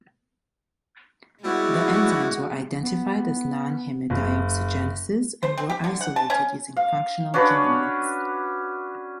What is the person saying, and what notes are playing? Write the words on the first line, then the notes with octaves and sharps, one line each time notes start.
The enzymes were identified as non-heme dioxygenases, and were isolated using functional genomics.
G3 G#3 B3 E4 F#4
B3
F#1
C5
C4
G4
D3
F#5
A5
C#4
F5
C#4 D4 F#4 B4